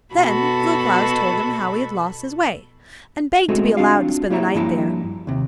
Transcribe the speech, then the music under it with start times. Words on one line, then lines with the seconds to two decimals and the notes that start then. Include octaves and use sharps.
Then Little Klaus told him how he had lost his way, and begged to be allowed to spend the night there.
0.15 B2 F#4 A4 B5
3.48 G#3 A3 C4 D#4 F#4 A4
3.77 C4 D4 F4 F#4 F5
4.30 A#3 E4 G4 C#5 E5 A#5
4.55 G2 F3 A#3 E4 A5 A#5
5.27 D#2 C3